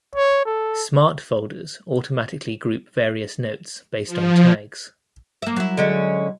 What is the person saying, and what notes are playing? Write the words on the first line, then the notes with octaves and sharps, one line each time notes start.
Smart Folders automatically group various notes based on tags.
C#5
A4
F3
A#3 E5
F#3 E4
D3 G#3 C#4